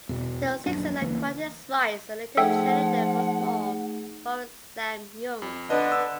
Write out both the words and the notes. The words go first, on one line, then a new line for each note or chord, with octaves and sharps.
The Sixers acquired his rights, and later traded them for small forward Sam Young.
E2 B2
D#1 A#1 F#2 D4
C#2 E3 A#3
F3 A3 D#4 G#4 A4 E5 F#5 G5
F2
D3 B3 D4 B4 D#5
E6